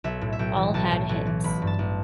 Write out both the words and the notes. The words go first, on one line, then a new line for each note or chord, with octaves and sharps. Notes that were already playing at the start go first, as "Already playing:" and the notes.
All had hits.
B1 E5
A2
E5
B1 G5
E3
B1 A5
A2
B1
E3
A1 B5
G2
A5
A1